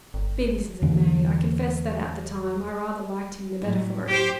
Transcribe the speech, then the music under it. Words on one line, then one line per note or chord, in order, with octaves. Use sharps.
Be this as it may, I confess that, at the time, I rather liked him the better for it.
G1
E2 D3 E3
A2 F#3 E4
G4 C5